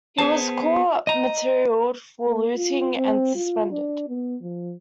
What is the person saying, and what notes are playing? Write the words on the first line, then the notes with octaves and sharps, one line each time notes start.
He was court-martialled for looting and suspended.
B3 G#4 C5 A5
D#5 A#5
A#3
F4
C4
F4
D4
B3
F3